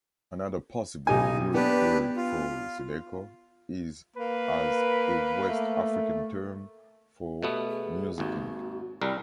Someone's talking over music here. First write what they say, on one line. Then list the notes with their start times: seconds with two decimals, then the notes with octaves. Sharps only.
Another possible root word for zydeco is as a West African term for "musicking".
1.07 B1 D#4 G4 G#5
1.54 B3 D4 G4 B4
2.17 F4
4.16 A#3 B4
5.48 A3
7.43 B2 A3 B3 G4
7.69 G#4
8.18 G#1 D#2 F#4
9.01 C2 G3 A#4 D5